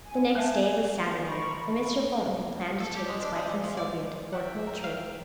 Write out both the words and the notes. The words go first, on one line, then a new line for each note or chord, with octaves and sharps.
The next day was Saturday, and Mr. Fulton had planned to take his wife and Sylvia to Fort Moultrie.
G#5
G#3 E5 A5
A#4 B5 C#6
A4
G4
G#3
D4
G#3
E3
F3
D5
E5 F#5 G5
A#4
F5